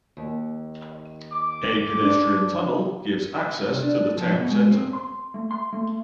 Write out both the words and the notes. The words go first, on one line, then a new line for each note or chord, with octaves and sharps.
A pedestrian tunnel gives access to the town centre.
D#2
D6
D4
C2
D4
F3
B2
G#3
C4
C6
A3
C6
A3